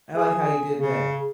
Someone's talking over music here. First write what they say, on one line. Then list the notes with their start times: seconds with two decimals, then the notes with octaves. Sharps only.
I like how he did that.
0.17 G#4
0.77 C#3